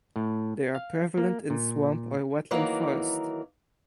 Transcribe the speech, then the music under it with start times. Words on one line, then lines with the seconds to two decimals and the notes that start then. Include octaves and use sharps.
They are prevalent in swamp or wetland forest.
0.16 A2
0.75 F5
1.18 A#3
1.50 A#2
2.51 D#3 E3 F#3 A#3